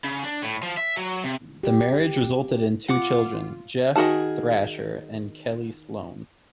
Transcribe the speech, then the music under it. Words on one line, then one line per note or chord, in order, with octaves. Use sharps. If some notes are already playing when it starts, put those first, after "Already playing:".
The marriage resulted in two children: Jeff Thrasher and Kehly Sloane.
C#3
D4
A2
F3
E5
F#3
C3
G4
F4 F#5 D6
D#3 E4 F#4 G#4 A5